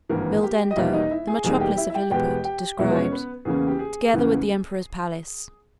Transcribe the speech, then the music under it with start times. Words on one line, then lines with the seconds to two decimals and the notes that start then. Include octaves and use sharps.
Mildendo, the metropolis of Lilliput, described, together with the emperor's palace.
0.09 G#1 G2 E3 A#3 A#4
0.43 G4 G5
0.71 D#5
0.76 E2 B2 G3 A#3 D#4 E4 E5
0.93 D#4 D#5
1.11 E4 E5
1.27 G#4 G#5
1.44 E2 B2 G3 A#3 D#4 G#4 G#5
1.60 G4 G5
1.77 E4 E5
1.90 E5
1.94 G4 G5
2.11 E2 B2 G#3 B3 G4 G5
2.45 G4 G5
2.79 E2 B2 G#3 B3 E4 E5
2.91 B4
2.95 C#4 C#5
3.12 B3 B4
3.45 E2 C#3 E3 A#3 C#4 G#4
3.67 G4
3.79 G#4
4.13 E2 C#3 E3 A#3 C#4